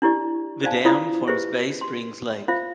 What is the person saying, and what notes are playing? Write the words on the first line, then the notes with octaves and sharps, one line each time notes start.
The dam forms Bay Springs Lake.
D4 E4 G4 D5
C5 D5 F5 G#5 A5
E4 F4 C5 D5 F5 D#6
G4 G#4 B4 C5 E5
C6
F4 C5 E5 F5